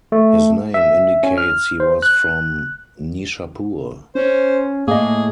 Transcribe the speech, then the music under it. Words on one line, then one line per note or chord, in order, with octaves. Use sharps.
His name indicates he was from Nishapur.
A3
E5
C#4
F6
C5
F#6
C#4 C5
A2 A#3 G#4 D#5